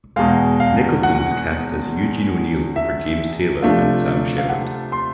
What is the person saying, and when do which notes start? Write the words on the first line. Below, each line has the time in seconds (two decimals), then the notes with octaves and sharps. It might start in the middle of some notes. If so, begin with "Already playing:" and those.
Nicholson was cast as Eugene O'Neill over James Taylor and Sam Shepard.
0.16 E2 B2 G#3 F5
0.60 F5
1.03 F#5
2.76 E5
3.62 C3 F3 A3 D4 F4
4.38 F5
4.49 F#5
4.92 C6